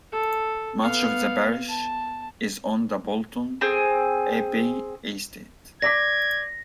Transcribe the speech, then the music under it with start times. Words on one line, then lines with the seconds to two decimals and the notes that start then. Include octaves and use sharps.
Much of the parish is on the Bolton Abbey estate.
0.12 A4
0.82 B3 F5
1.68 A5
3.61 C4 G#4
5.82 D5 D6 G#6 A#6 B6